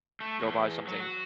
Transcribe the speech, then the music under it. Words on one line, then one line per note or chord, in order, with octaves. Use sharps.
go buy something,
A3
E2
F#3
F#4